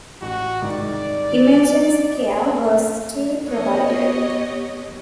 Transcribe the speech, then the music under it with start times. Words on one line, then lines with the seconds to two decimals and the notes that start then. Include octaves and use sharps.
Emergency care was still provided.
0.22 A1 F#4
0.62 C2 G#2 D#3 D5
2.13 D#5
3.45 B3 G4 C#5 D#5